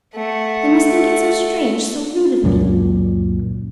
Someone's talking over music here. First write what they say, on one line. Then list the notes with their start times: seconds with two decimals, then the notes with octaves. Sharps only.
They must think it so strange, so rude of me!
0.16 A3 F#5
2.44 C#2 F#2 A#2 F#3